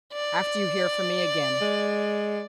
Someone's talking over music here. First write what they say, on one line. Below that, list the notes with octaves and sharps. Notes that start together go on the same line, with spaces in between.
After you hear from me again.
D5
G#3